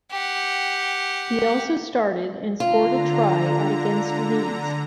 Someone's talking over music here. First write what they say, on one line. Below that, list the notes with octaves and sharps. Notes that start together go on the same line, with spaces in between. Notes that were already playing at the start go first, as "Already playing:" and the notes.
He also started, and scored a try, at against Leeds.
G4 F#5
D3 F4 A#5